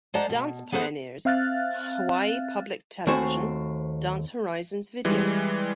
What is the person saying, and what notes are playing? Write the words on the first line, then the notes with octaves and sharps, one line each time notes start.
Dance Pioneers; Hawaii Public Television; Dance Horizons Video.
G#3 C5 D5 F#5 A5 A#5
B2
B3 G#4 A4 C5 F5 F#5
C4 E5 F5 F6 F#6 A6
D#2 A3 C4 F#4 C5 G#5
E3 G3 G#3